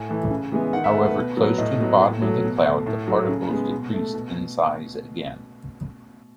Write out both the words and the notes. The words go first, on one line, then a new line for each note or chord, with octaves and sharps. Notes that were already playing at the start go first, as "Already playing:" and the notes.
However, close to the bottom of the cloud, the particles decreased in size again.
Already playing: A2 G#5
E3 A3
C#3
E3 G#3 B3
D#3 F#5
E5
A3 B4
B4
B2
F#3 B3
A2 D#5
F#3 B3
A2
F#3 A3
B2
A3
A2
F#3 A3
C#3
G#3 B3
B2
A3
B2